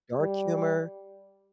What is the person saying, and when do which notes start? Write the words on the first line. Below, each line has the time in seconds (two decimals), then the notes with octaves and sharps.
dark humor,
0.20 G3